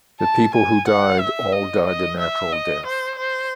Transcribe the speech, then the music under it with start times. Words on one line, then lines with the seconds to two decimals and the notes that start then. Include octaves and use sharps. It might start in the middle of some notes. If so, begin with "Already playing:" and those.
The people who died all died a natural death.
0.20 A5
0.54 G#5
0.87 F#5
1.20 E5
1.53 D#5
1.86 D#5
2.19 E5
2.52 D#5
2.86 C5
3.18 C5